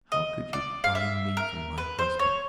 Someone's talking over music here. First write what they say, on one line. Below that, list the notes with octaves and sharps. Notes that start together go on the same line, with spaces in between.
How could you buy me from my husband?
D#5
D5
F5
E5
A#4
B4
C5
C#5